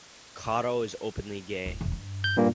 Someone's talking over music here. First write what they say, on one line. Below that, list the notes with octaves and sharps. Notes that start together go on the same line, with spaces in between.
Caro is openly gay.
D1
E1 C3
G2
G6
G2 A#2 A#3